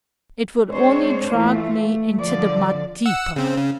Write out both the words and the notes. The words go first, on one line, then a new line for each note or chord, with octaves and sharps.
It would only drag me into the mud deeper.
G#3 C4 D4 C5 C#5
E3 A3 F4
A3
D3 F3 D5
F#5 E6
C#3 C4
C#3